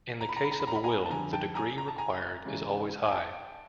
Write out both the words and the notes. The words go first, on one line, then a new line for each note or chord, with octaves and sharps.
In the case of a will the degree required is always high.
A#5
B5
A#5
B5
A#5
B5
A#5
B5
G#5 A#5
A5
F2 D3 G3 G#5 A#5
G5 A5
G#5 A#5
A#5
A5
G#5 A#5
C#2 C#3 E3 G#3
G#5
G5 A5